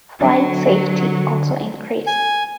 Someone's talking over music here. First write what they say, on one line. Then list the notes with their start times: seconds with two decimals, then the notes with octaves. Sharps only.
Flight safety also increased.
0.21 D3 F#3
2.07 G#5